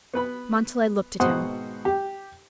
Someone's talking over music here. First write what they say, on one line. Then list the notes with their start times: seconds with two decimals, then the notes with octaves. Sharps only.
Montalais looked at him.
0.14 B3 B4 B5
1.20 G#1 B2 C5 F#5 D#6
1.85 G4